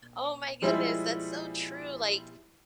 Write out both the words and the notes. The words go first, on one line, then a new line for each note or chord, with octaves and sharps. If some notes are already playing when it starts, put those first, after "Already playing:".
Oh my goodness, that's so true, like,
F3 G3 G#3 D#4 E4